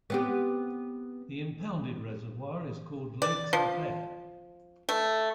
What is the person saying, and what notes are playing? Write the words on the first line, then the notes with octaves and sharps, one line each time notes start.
The impounded reservoir is called Lake Saint Clair.
B3 C4 G4
D5
F3
A3